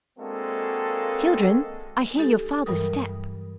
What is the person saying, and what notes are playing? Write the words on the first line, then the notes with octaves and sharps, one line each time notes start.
'Children, I hear your father's step.
G#3 A#3 C4 D4 F#4 A4
G#3 D#4 G4 A4
G2 E3 F#3 G3 A#4 D#6